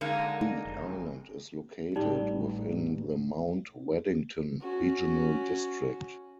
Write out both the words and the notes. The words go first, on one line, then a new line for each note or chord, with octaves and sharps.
The island is located within the Mount Waddington Regional District.
D3 G#3 A#3 D#4
F1
A1 G3 D#4 D5
C#4 F#4